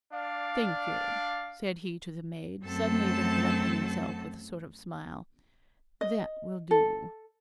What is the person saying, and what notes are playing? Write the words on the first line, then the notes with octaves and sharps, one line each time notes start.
'Thank you,' said he to the maid, suddenly recollecting himself, with a sort of smile; 'that will do.
D4 D5 F5
F#2 F#3 A3 C4 A4 A5
D#5
A4